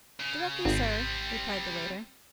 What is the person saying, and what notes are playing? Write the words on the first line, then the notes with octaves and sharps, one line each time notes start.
'Directly, sir,' replied the waiter.
C#3
G#1 G3 C4